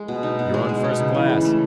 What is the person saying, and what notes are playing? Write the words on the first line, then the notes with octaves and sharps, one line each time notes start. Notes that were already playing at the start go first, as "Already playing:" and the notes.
"You're on first-class."
Already playing: G#3
B2
D#4
B2
G#3
B2
D#4
C#3
E3
C#3
A3